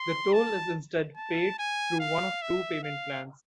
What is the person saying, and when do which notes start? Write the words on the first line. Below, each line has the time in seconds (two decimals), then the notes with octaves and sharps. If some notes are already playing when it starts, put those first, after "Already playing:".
The toll is instead paid through one of two payment plans.
Already playing: C6
0.33 A5
1.16 A5
1.59 G#5
2.00 F5
2.42 E5
2.83 F5